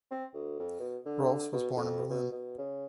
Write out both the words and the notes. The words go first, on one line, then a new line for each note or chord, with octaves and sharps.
Rohlfs was born in Berlin.
C4
D2
F2
B2
D3
B2
F2
B2
B2
C#3